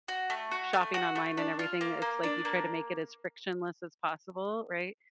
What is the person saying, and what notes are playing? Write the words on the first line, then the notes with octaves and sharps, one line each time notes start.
shopping online and everything, it's, like, you try to make it as frictionless as possible, right?
F#4
A3
F#4
A3
F#4
A3
D4
F4
A#3
A#3
D4
A#3